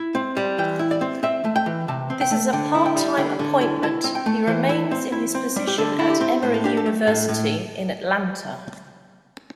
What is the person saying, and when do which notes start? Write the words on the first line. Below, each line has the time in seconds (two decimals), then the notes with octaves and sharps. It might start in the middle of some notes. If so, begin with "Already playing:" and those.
This is a part-time appointment-he remains in his position at Emory University, in Atlanta.
Already playing: E4
0.15 C4
0.37 G3
0.58 E3 G5
0.79 E4
0.91 D5
1.01 C4
1.23 C4 E5
1.45 A3
1.56 G5
1.66 E3
1.88 C3 A5
2.10 C4
2.21 G5
2.31 A3
2.53 D3 G5
2.75 E4
2.86 G5
2.96 G3
3.17 D3 G5
3.39 D3
3.61 E4
3.83 E4 A5
4.04 C4
4.15 G5
4.26 A3
4.47 E3 C5
4.69 E4
4.91 C4
5.12 E4
5.35 C4
5.56 G3
5.67 G4
5.78 D3 A4
5.99 E4
6.10 G4
6.21 C4
6.42 A2 C5
6.54 A4
6.64 D4 G4
6.77 A4
6.86 A3
7.07 A2 A4
7.29 A2